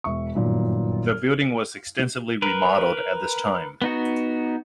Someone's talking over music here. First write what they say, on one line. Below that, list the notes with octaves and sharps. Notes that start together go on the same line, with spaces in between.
The building was extensively remodelled at this time.
E1 E5 C#6
G1 F#2 A#2 D#3
F6
A#4 B4
B3 D#4 F#4